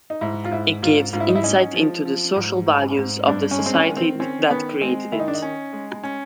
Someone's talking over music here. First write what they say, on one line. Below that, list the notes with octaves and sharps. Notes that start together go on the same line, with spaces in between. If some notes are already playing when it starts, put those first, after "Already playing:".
It gives insight into the social values of the society that created it.
D#4
G#2 E4
F4
G#2 E4
G#2 F4
G#2 F4
E4
D#4
E4
C#4 D#4
F3
F3
G#2
G#2
G#2
G2 D4
C#4
G#3
C4
C#4
D#3
C4
C4 C#4
D#3 B3
G#3 C4
D#3 E4
D#4
D4
D#4
C#4
G#3
C#4